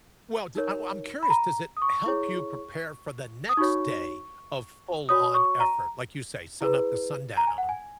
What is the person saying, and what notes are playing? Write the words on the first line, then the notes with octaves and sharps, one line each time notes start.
Well, j I'm I'm curious, does it help you prepare for the next day of full-on effort? Like, you say, sun up the sundown.
D#4 A#4 C#5
B5
A#5
D#6
C#6
E4 G#4 C#5
D#6
D#4 F#4 C#5 C#6
F#4 C#5 D#6
C#6
A#5
E4 G#4 B4
A#5
G#5
F#5
G#5